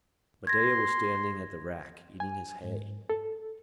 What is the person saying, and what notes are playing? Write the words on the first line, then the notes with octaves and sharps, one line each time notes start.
Medeah was standing at the rack, eating his hay.
C6 G#6 A#6
G#5
G#2
A4